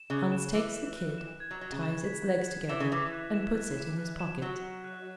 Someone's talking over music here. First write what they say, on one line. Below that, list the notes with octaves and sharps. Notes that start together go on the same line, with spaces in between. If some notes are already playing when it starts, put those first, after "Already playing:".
Hans takes the kid, ties its legs together, and puts it in his pocket.
Already playing: E7
C#3 F#6
E7
E3 F#6
E7
F#6
E7
G#6
F#3
F#3 G#6
C#3
E7
B6
G#6
G#6
E3 E7
C#3
E3 B6
F#6
E7
F#6
E7
F#6
E7
F#3 F#6
E7
F#6